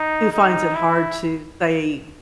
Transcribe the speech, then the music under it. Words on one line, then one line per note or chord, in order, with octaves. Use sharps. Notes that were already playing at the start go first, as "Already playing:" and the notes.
who finds it hard to say,
Already playing: D#4
D#4
E4